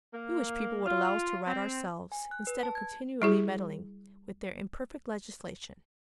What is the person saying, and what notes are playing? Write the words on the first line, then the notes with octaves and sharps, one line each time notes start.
We wish people would allow us to right ourselves, instead of continually meddling, with their imperfect legislation.
A#3
F4
C4
G#5
F#6
B4
A5
G#6
G3 E4 G#4